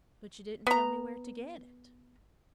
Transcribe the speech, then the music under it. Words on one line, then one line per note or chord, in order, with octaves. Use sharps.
"But you didn't tell me where to get it."
B3 A#5